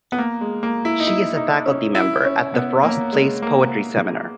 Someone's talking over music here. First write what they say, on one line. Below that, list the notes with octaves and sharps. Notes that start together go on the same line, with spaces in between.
She is a faculty member at The Frost Place Poetry Seminar.
B3
A#3
G#3
A#3
E4
D#4
E4
D#4
C#4
E4
C#4
B3
A#3
G#3
A#3